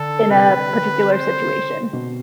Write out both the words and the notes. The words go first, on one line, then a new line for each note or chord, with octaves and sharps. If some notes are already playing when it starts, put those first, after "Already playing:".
in a particular situation.
Already playing: D3 A4
C3 B4
C5
B2